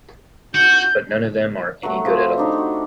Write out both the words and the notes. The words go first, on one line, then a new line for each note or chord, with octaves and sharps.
But none of them are any good at all.
F#4 G6
F#3 A3
F3 C4 B4
D4 D#4 G4
F#4